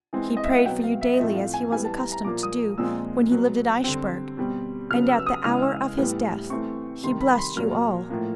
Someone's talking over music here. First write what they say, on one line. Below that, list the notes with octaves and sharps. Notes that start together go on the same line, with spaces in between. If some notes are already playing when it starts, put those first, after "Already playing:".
He prayed for you daily, as he was accustomed to do when he lived at Eichbourg, and at the hour of his death he blessed you all.
E3 G#3 C4
D#5
E5
F5
F#5
B2 F#3 B3 G5
F5
E5
D#5
A2 F3 A3 C4 E5
F5
G#5
E3 G3 B3 G#5
A5
A#5
A#5
A#2 F3 A#3 D6
D#6
A#2 F3 G#3 C4 E6
B2 F#3 B3
D3 G3 C4
B2 G3 C4
C#3 F#3 B3 F6
E6
E6
D#6
C#3 E3 G#3 F6
E6
A2 E3 G3 B3
E3 A3 C4 C#6
C3 D#3 G3 C6
B5
B5
C6
A#2 F#3 A#3 F6
A2 F3 A#3